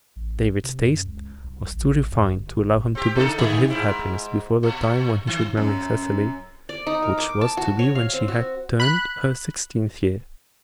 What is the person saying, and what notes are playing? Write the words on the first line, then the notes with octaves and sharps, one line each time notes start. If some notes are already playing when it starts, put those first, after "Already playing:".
David's taste was too refined to allow him to boast of his happiness before the time when he should marry Cecily, which was to be when she had turned her sixteenth year.
A1
C3
F#2
C#2
C2
A1
F2
G1
C4 G4
C#3 D#4 A4
D3 D#3 G#4
G#2 E4
A#2
D#3
F#2
D5
D#4
A#4
D6
A5
F#4
C#5
F5
C4
F#4
B5 F#6